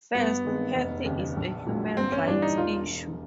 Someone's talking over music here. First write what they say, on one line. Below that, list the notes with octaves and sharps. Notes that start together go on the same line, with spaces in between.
First, health is a human rights issue.
G2 B3
D#3 G#3 C4
F1
D#2 C#3
A#1
A#2 F#3
G1 C4
C#4
G2 E3 G3 D4
D#4
E1 F4